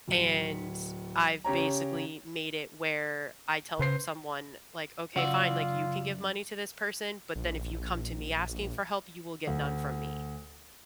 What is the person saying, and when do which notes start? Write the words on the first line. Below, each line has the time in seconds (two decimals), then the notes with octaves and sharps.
and I've basically made it where I tell someone, like, "Okay, fine," like, "You can give money to this person, but then if you come to me asking for help, you will get none from me."
0.08 D1 C#7
1.45 C#3 G4 C#5 A#5
3.79 C#3 B4 C5 C7
5.16 F#2 C#3 F4 F#4 D5 E6
7.36 A#1
9.47 D2